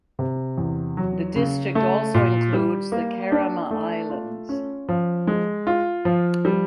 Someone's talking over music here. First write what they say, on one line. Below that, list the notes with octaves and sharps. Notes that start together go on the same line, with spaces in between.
The district also includes the Kerama Islands.
C3
E2
F#3
C#3
A3
A#2
G3
A#3
D4
A3
F4
C#4
F3
G#3
F4
F3
G3